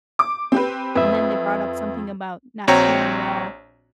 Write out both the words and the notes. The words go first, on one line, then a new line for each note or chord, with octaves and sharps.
and then they brought up something about not feeling well
D6
C4 G4 B4
F2 B4 E5
A#1 C4 F#4 C#5 G5 A#5